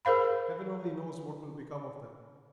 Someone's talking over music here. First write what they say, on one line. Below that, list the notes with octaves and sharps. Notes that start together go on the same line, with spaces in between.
Heaven only knows what will become of them...
G#4 A#4 C5 F5 B5